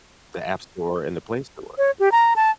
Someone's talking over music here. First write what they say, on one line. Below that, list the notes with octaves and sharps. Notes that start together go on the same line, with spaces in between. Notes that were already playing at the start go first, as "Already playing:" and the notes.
the App Store and the Play Store.
C#5
G4
A#5
A5